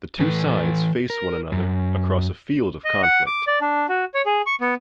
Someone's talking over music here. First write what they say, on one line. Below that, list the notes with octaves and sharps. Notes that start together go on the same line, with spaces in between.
The two sides face one another across a field of conflict.
E3 A4 B4
A#4
F#2
D#5
F#5
D6
D5
D4
F#4
C#5
G#4
C#6
B3